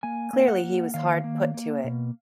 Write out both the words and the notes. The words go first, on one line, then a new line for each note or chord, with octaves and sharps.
Clearly he was hard put to it.
A#3 G#5
A#3
F#5
A#3
D#3 F5
A#3
A#3
B2